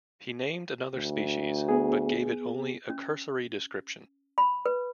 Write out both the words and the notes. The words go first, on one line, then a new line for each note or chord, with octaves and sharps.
He named another species, but gave it only a cursory description.
D2
B3 G#4
C#4
B5
B4